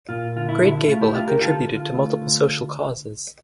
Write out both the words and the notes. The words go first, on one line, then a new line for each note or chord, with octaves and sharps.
Great Gable have contributed to multiple social causes.
A#2 F4
D3 F4
E4
D3 E4
E4
A3 F4
E4 G4
D4 F4
G4 A#4
D3 F4 A4
D3
F4
A3
D3